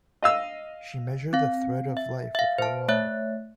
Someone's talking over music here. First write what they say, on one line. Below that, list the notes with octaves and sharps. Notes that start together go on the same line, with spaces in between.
She measured the thread of life with her rod.
D#5 F5 E6
C4 F5
E5
E5 F5
C5 A5
A3 C#5 E5 F#6